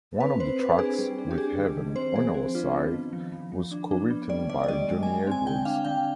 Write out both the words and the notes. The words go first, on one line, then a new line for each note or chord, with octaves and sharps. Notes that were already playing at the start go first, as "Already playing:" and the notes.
One of the tracks, "With Heaven On Our Side", was co-written by Johnny Edwards.
C4 B4
C4 C5
C4 B4
D4 G#4
G3
D4
G4
D4 G#4
D#3
D#3
C4 C5
F3 G#4
C4
D4 F4
B3
D#3
F3
F3
F3
D4
D4
B3
G3 D5
D#3 D5
D5
G3 D#5
G#3
G#3 G#5
C4 G#5
D3 G5
D4 F5
D3 G5